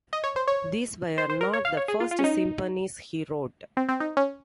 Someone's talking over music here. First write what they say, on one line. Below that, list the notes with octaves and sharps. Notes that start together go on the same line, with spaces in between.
These were not the first symphonies he wrote.
D#5
C#5
C5
C#5
C5
C5
A#4
C#5
F5
C#5
G#4
F4
F4
C#4
D#4
C4
C4
D#4
C#4